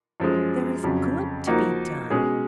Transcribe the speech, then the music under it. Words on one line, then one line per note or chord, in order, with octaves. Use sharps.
There is good to be done!
F#2 F3 G#3
F2 C#3 F#3
F3 A#3 D#4 F#4
B2 G#3 C#4 G#4